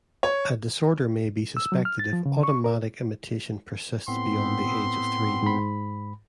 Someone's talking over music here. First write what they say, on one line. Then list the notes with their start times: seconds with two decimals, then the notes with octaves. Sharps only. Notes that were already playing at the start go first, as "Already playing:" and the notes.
A disorder may be suspected if automatic imitation persists beyond the age of three.
0.23 C#5
1.57 E6
1.72 F#3
1.85 F6
1.99 A6
2.13 F3
2.26 C#3
2.43 C#6
2.64 A#4
4.08 A2 B3 C4 C6
5.43 G#2 B5